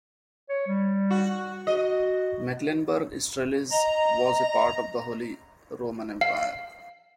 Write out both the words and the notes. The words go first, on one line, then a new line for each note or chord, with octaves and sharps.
Mecklenburg-Strelitz was a part of the Holy Roman Empire.
C#5
G3
F#4
F#4 D#5
D#5 A#5
F5